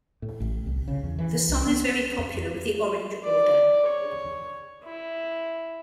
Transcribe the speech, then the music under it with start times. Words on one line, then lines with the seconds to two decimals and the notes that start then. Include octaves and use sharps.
The song is very popular with the Orange Order.
0.22 A2
0.40 A1
0.66 C2
0.88 C#3
1.03 E2
1.18 E3
1.49 C2
1.67 B3
1.83 C#4
2.18 F2
3.24 D5
3.86 C#5
4.84 E4